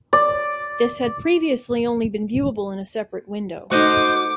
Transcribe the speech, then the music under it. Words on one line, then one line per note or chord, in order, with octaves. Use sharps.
This had previously only been viewable in a separate window.
D5
A3 D#4 F#4 C5 D#5 D6